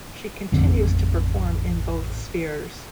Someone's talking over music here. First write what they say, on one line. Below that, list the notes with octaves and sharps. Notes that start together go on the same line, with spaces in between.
She continues to perform in both spheres.
A1 F2 D3 C4